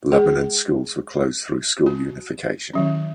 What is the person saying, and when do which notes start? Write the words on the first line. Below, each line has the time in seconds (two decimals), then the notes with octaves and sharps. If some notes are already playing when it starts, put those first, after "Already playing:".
Lebanon schools were closed through school unification.
0.12 G#3 G#4
1.86 F#4
2.73 D#3 F#3 C#4